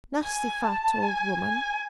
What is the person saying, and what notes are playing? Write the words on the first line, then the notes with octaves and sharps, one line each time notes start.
Nasty fat old woman!
G#5
A5
G#5
G#5